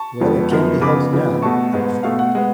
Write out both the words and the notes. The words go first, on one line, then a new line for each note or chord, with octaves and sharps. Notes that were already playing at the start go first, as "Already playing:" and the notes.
"Well, it can't be helped now," I reflected.
Already playing: A5 C#6
F2 F3 G#3 B3
F#2 F3 B3
C#3 F3 B3 B5 D6
C#3 F3 B3
B2 A3 A5 C#6
G#2 G#3 B3
B2 A3 F5
F#5
G#3 B3 F#5